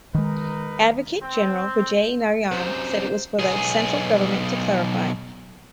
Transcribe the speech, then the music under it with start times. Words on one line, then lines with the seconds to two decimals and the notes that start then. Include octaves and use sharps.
Advocate General Vijay Narayan said it was for the Central Government to clarify.
0.15 D#3 G#3 D#4 A#4 B4
1.22 C4
2.51 F#2 C3 C5
3.39 B1 G#4